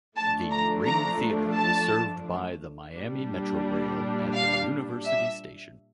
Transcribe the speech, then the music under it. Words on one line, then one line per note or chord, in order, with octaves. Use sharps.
The Ring Theatre is served by the Miami Metrorail at the University Station.
F3 A3 D4 A5
A#5
A#5
A5
A#2 G3 D4
F5
E5